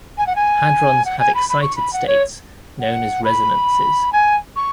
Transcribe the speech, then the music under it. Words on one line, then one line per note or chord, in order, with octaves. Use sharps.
Hadrons have excited states known as resonances.
G#5
F#5
G#5
F#5
G#5
B5
B5
C#6
B5
F#5
C#5
F#5
B5
G#5
C#6